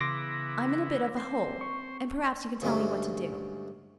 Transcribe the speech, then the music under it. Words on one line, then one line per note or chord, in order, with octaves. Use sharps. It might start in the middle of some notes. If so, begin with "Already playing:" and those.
I'm in a bit of a hole, and perhaps you can tell me what to do.
C#3 E3 B3 E4 C6 D6 A#6
C4 C5
C#6
D2 G2 G#3 A3 C#4 E5